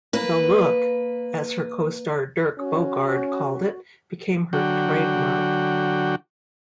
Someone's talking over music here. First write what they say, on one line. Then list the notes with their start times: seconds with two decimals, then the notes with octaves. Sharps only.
"The Look," as her co-star Dirk Bogarde called it, became her trademark.
0.13 A#3 B4
2.60 C#4 F#4
4.53 D3 F#3 F#4 G5